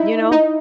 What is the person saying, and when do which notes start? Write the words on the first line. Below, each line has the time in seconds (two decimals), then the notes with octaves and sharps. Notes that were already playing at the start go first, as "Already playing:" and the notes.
You know?
Already playing: D#4 E4
0.32 D#4